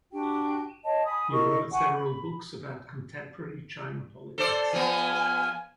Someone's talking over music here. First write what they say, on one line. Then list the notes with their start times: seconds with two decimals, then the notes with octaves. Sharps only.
He wrote several books about contemporary China politics.
0.12 D4 F#4 G4 G5
0.84 C#5 D#5 A5
1.05 G#5 B5 D#6
1.32 E4 A#4 D#5 C#6
1.71 F#5 G#5 C#6
1.94 B5
4.38 A4 C5 D5
4.73 F3 B3 G#5